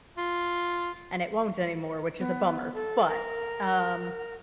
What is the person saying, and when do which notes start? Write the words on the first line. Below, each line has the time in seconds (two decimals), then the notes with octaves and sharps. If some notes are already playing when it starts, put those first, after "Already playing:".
and it won't anymore, which is a bummer, but, um
0.17 F4
2.20 B3
2.74 A4
3.08 A#4